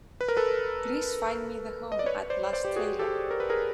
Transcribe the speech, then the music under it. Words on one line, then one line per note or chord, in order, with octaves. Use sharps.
Please find me the Home at Last trailer.
B4
A#4
A4 B4
D#5
D5
B4 C#5
C5 D5
C5 D5
G4
F#4 G#4
G4 A4
A#4
B4
G#4 A#4